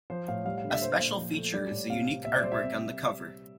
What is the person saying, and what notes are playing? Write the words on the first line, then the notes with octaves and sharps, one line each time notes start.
A special feature is the unique artwork on the cover.
F3 C5
A2 F5
G3 F5
F5
D3
E5
A#2 C5
A#2
F3
A3
G3 D5
A2
C3 F5
C3
A#2 E5
D5
G3 C5
E5
C3